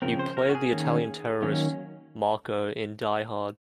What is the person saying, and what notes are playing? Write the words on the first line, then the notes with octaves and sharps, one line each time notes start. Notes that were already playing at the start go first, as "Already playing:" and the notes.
He played the Italian terrorist Marco in "Die Hard".
C#3 F3 C4 A#4
C5
A#4
F#4
G#4
D#3 A#3 C#4
D#3 F#3 A#3 C#4